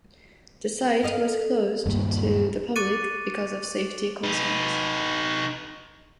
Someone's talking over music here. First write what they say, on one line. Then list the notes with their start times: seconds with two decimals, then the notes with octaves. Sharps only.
The site was closed to the public because of safety concerns.
1.03 A4 D#5 F5
1.86 D#1 G2 A#3
2.76 C#6 D6 F#6 A6 C#7 D#7
4.24 D#4 B4